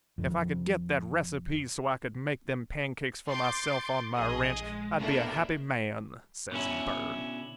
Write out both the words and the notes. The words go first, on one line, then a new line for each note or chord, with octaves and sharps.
If I could get that recipe, so I could make them pancakes for myself on my ranch, I'd be a happy man,' says Bird.
F2 D3
C6 D6 G6 A6
A#1 G#4 D#5 D#6
G#3
E2 B2 A3 A#3 D4 E4
B2 D3 C#4 E4